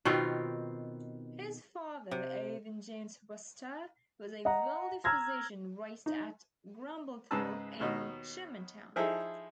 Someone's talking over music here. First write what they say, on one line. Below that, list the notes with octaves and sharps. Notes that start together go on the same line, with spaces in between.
His father, Owen Jones Wister, was a wealthy physician raised at Grumblethorpe in Germantown.
B2 D#3 C4 F4
C3
D#5 F#5 A#5
A#5 E6 F6 G#6 A#6
D#4
G#2 C#3 D#4 B4 A5 E6
D#2 B2 D#4
F3 D#4 E4 G#4 A4